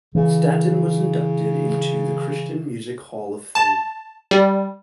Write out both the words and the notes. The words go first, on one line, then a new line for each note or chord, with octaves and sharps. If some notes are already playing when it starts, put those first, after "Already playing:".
Staton was inducted into the Christian Music Hall of Fame.
C#3 E3
A5
G3